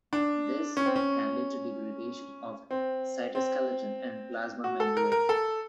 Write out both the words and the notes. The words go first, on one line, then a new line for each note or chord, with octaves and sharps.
This can lead to degradation of the cytoskeleton and plasma membrane.
D4
C#4
C4
C#4
C4
C4
F#4
A4
A#4
A#4
A4